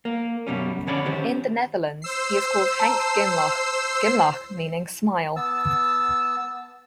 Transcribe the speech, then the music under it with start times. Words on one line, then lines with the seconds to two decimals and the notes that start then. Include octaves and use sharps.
In the Netherlands, he is called "Henk Glimlach", "glimlach" meaning "smile".
0.05 A#3
0.47 F#2 B2 G3 C#4
0.87 F2 D3 C#4 C#5 D5 B5
1.05 D#3 C#4 G4 C5
2.02 C5 E6 C7
2.80 A5 A#5
5.36 B3 A5 E6